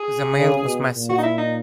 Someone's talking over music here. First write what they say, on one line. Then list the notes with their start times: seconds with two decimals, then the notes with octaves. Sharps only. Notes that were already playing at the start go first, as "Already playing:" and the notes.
The mail was massive.
Already playing: G#4
0.37 C#3
0.65 B2
0.95 A#2
1.10 F#4
1.18 D#4
1.23 E4
1.38 D#4